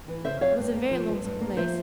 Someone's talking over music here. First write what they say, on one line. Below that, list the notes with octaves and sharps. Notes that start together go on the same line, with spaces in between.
It was a very lonesome place.
E3
C#3 C5 E5
F2 C#5 F5
G2
A#3
F3
G2
G2
A#3
F3 C5 E5